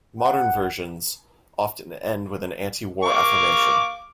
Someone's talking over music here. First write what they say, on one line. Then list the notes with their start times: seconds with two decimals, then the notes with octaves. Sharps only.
Modern versions often end with an anti-war affirmation.
0.20 F#5
3.03 F5 C#6 D6